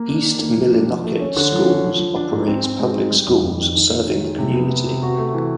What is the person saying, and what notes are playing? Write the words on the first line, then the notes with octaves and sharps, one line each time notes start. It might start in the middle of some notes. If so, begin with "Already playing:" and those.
East Millinocket Schools operates public schools serving the community.
Already playing: A#3
D4
D#3
A#3
F3
D4
F3
A3
C#4
D3
F3
C#4
F3
F3
D4
G#2
C4
C4
G#3
D#4
G3
F2
F2
D#3
D#3
C#4
D#3
G#3
C3
B3
B3
C3
F#4
A3
E3